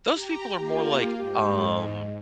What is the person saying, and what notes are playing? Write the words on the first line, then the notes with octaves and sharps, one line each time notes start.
Those people are more like, um
G4 A#5
A#3 F4 G4
G#2 G4
D#5